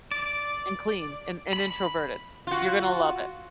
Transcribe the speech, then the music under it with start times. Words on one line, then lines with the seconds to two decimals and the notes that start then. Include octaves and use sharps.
and clean and and introverted, you're gonna love it.
0.11 D5
1.53 B5
2.47 F4 F#4